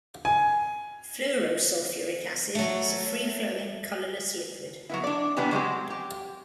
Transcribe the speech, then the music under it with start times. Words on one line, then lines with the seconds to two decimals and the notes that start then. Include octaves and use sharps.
Fluorosulfuric acid is a free-flowing colorless liquid.
0.25 G#5
2.55 F#3 A3
4.90 F#3 B3 E4
5.04 D4 D5
5.37 C3 E3 G3 B3 D4
5.51 F#3 G#3 C4 G4
5.90 G4